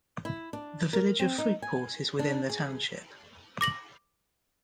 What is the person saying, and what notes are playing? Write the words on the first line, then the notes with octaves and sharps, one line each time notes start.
The village of Fruitport is within the township.
E4
D4
A#4
C4
D#4
G#5
D4
G#4
D6 A#6 F#7